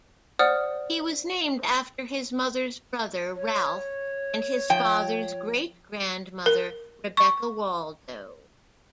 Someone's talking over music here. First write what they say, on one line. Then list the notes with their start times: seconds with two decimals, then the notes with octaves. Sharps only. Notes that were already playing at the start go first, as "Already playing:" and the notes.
He was named after his mother's brother Ralph and his father's great-grandmother Rebecca Waldo.
0.39 C5 D5 F#5 D#6 F6
3.35 C#5
4.70 F3 G5
6.46 A#4
7.17 C#6